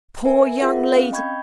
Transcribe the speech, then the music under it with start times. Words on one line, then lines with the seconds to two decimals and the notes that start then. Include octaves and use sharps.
'Poor young lady!
0.25 A#4 B4 E5 G#5
0.59 F4 G#4 A#4 E5 F#5
0.95 C4 C#4 F5
1.12 D#5 G5 B5 C#6 G6 G#6